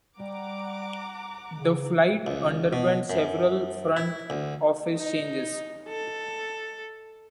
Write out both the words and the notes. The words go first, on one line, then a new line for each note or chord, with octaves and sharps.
The Flight underwent several front office changes.
G3 F#5 A#5 D6
C#3
C#2
B2
F#2
E4
D2
D#4
A4